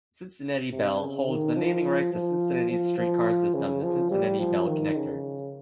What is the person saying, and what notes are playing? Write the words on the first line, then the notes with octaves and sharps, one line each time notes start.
Cincinnati Bell holds the naming rights to Cincinnati's streetcar system, the Cincinnati Bell Connector.
C3
C#3
D#3
F3
F3
F3
F3
C#3
F3
G3
F3
D#3
C#3